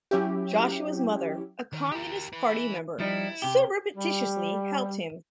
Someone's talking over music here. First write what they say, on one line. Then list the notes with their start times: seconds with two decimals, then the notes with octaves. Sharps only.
Joshua's mother, a Communist party member, surreptitiously helped him.
0.11 F#3 C#4 E4 G4
1.73 D#3
1.92 G4 A#4
2.33 E4 B4
2.99 F3 G3 D#4 E4
3.42 C3 G4
3.95 G3